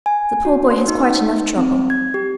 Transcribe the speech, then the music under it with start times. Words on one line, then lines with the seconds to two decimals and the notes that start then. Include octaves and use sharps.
"The poor boy has quite enough trouble."
0.06 G#5
0.45 F#4
0.70 C6
0.88 D#4
1.57 C4
1.90 G#6
2.14 G4